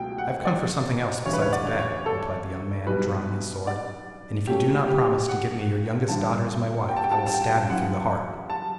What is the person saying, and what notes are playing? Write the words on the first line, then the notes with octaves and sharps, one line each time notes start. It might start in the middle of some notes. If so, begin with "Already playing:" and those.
'I have come for something else besides a bed,' replied the young man, drawing his sword, 'and if you do not promise to give me your youngest daughter as my wife I will stab you through the heart.'
Already playing: C#2 B2 F#3 A3 G5
F#5
D5
E1 D2 C#3 G3 C#5
B4
C#5
D5
C#5
A4
B1 B2 G3 B4
D5
C#2 B2 F#3 A3 C#4 G4
G4
F#5
A1 G2 D3 A5
G5
A5
G5
A5
G5
A5
G5
A5
G5
F#2 C#3 E3 F#5
A5